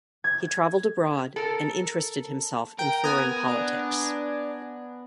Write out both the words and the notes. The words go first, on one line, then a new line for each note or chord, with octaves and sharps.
He travelled abroad and interested himself in foreign politics.
G#6
A4 A#4
A#4 G5
B3 G#5 A#5
D4